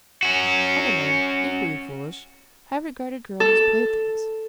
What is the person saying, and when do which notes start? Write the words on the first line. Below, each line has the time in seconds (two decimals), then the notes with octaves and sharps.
Other men, equally foolish, have regarded girls as playthings.
0.23 C#4 F#4
3.40 A4